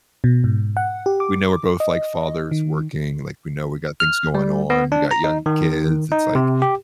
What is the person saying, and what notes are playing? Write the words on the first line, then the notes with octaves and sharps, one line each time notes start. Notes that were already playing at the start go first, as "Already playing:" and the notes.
we know we're both, like, fathers working, like, we know we got things going on, we got young kids, it's, like
B2
G#2
F#5
G4
D6
D#5
D#3
F6
G3
B3
D4
A#5
D#4
D#3
D#4
C3
G4